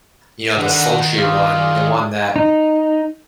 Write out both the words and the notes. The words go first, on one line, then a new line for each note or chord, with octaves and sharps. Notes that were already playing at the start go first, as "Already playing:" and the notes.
you know, the sultry one, the one that
D3 D#3 F#5
C4 F4 G4 D#5
G#4 D5
D#4